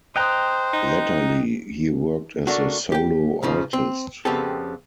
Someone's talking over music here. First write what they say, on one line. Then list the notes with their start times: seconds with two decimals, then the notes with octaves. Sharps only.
Latterly, he worked as a solo artist.
0.16 C5 D#5 G5 A#5 D#6 F#6
0.73 D#4
2.47 A3 A#3 D4 F#4
2.92 G4 G5
3.43 G#2 C#3 F3
3.73 C4
4.25 F2 C#3 B3 C4 G4 A4